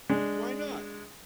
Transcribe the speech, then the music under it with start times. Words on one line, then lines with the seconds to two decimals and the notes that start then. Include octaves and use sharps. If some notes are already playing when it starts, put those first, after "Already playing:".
why not?
0.10 G#3 D4